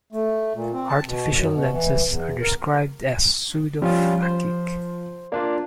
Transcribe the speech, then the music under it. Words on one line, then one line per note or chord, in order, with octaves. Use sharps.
Artificial lenses are described as pseudophakic.
A3
A#2
C4
A5
B2
F#2
B2
E3
E2
A#4
F3 G3 C#4 F4
C5
A#3 D4 F4 D5